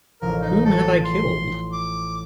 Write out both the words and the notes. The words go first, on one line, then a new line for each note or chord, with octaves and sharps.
Whom have I killed?
A1 F3 A#4
D#4
A4
C6
D6